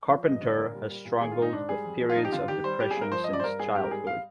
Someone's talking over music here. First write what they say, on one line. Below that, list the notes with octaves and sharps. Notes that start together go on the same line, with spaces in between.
Carpenter has struggled with periods of depression since childhood.
F3
G2 D#5
D#5
D3
D5
A#2 A#4
G3
G3
A#2
D#3 G#4
F4
G#2
D#4
G#2 D4
G3 G#4
F2
F3
F4
F3 D#4
G4
D3 F4
D#3 G4
G3 C5
G3 G4
G#4
G2
A#4
F3 C5
G2 D#5
D5
C5
G2 A#4
G2 G#4
G#2 G4
A#4
G3 G#4
G3 F5